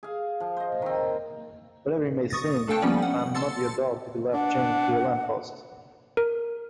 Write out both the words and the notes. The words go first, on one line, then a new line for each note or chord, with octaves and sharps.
Whatever you may think I'm not your dog to be left chained to a lamppost.
G#4 F5
F3
C5 D#5
D#3 C4
C#6 D#6 A6 A#6
A3 D4 A4 F5 G5 A5
F3 G3 A#3 B3 C#4 D5
F#5
A5 C6 E6 A6 C#7
D4 F#5
A#4